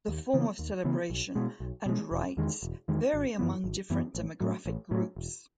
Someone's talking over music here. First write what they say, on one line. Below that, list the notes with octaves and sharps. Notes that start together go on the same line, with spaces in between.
The form of celebration and rites vary among different demographic groups.
D#2
C#3 E3 B3
D#2
C#3 E3 B3
B1
B2 G#3
B1
B2 G#3
E1
E2 D#3 G#3
E1
E2 D#3 G#3
G#1
F#2 E3 B3
G#1
F#2 E3 B3
A1
A2 F#3
A1
A2 F#3
E1